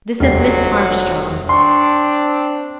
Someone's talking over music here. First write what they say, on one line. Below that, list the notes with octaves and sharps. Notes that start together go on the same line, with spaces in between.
This is Miss Armstrong.
F1 D3 F#3 G3 C7
C4 D4 C6 C#6